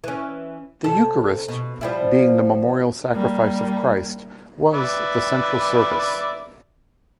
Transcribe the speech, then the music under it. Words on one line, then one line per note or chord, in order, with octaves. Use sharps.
The Eucharist, being the memorial sacrifice of Christ, was the central service.
E3 C#4
C3 A4
B2
F3 G3 E4
G3 A#3
B4 D5 E5